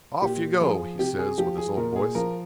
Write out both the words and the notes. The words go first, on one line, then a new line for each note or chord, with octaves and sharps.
'Off you go,' he says, with his old voice.
A#2 G4
F3 G#4
C3 G4
G#4
F3 G4
G#4
A#2 A#4
G#4
F3 A#4